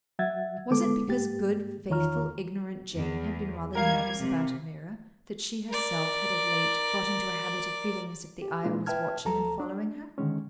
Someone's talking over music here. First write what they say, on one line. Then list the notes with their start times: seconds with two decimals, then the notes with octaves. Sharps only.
Was it because good, faithful, ignorant Jane had been rather nervous about Ameerah that she herself had of late got into a habit of feeling as if the Ayah was watching and following her.
0.19 F#3 E5 F#5 G#6 A6
0.70 D3 G#3 B3 A4 D6
1.08 G#2 A#3 G4 A6
1.89 E2 D#3 F4 C#5 A#5 F6
2.93 E2
3.75 G3 A#4 F5 G#6
4.20 C3
5.69 A#4 D5
8.42 G4
8.64 A#2 G#3 A#3 D4 E4 F4
8.86 B4 E5 G5 A5 F6 G#6
9.25 D2 F3 F#3 A4 A5 A#5
9.60 D4
10.18 D3 D#3 G#3 C#4